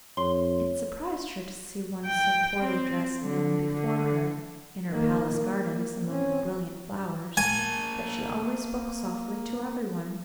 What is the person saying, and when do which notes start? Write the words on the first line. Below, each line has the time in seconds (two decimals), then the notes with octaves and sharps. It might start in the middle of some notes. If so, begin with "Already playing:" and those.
It surprised her to see one so poorly dressed kneeling before her, in her palace gardens, among the brilliant flowers; but she always spoke softly to everyone.
0.17 F2 C#5 C6
2.05 G5
2.60 C4
3.23 D3
3.75 D3
4.89 D#3 A#3
5.33 A#3
6.07 C4 C#4
7.37 A#3 G#5 A5